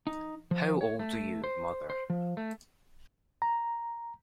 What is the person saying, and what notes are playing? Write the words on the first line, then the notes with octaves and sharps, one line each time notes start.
How old are you, mother.
D#4
F3
C#5
A3
C5
C5
F3
A3
A#5